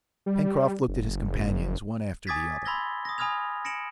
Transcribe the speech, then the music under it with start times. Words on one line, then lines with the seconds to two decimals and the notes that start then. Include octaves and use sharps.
Pencroft looked at his companions one after the other.
0.26 G3
0.88 F#1
2.27 G#5 D6 D#6 G#6 A6 B6
2.65 B5 C6 E6 G#6 A#6 G7
3.05 D#6 A#6
3.18 G#5 B5 D#6 F6 G#6 F7
3.65 A#6 C#7 D7 E7 F#7